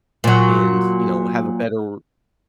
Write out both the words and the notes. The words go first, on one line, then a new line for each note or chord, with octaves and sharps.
and, you know, have a better
A#2 F#3